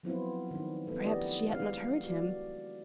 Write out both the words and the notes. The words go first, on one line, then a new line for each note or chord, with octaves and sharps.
Perhaps she had not heard him.
F3 F#3 B3 C4 E4 F4
D#3 D4
A3 B3
D4 E4 G4 D5 D#5
G#3 F5
F#4 D5